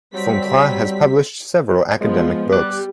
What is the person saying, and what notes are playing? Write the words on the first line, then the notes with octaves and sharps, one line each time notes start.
Fauntroy has published several academic books.
F#3 G3 C4 B6
F3 G#3 B3
G3 D6 F#6